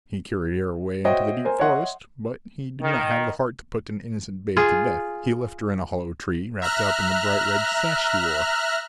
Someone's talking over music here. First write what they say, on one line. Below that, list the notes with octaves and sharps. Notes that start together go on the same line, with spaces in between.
He carried her away into the deep forest, but he did not have the heart to put an innocent babe to death. He left her in a hollow tree, wrapped up in the bright red sash he wore.
F#4 C5 C#5 D#5 E5 G5
A#4 C5 G#5
C#5 D#5 E5 F#5 C6
D#3
F4 G#4
E5 A#5 F6 F#6